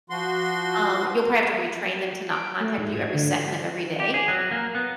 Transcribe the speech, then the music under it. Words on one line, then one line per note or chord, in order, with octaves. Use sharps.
um, you'll probably have to retrain them to not contact you every second of every day,
F3 F#4 C6
D7
A3
G#2
G#6
D3
G4
G#4
F#3
A#3
B3